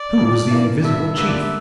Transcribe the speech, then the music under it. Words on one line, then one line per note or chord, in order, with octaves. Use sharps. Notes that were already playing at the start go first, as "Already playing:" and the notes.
Who was the invisible chief?
Already playing: D5
F2
E3 A#3
G2 E5
D3 G3 A#3 E5
D5
E5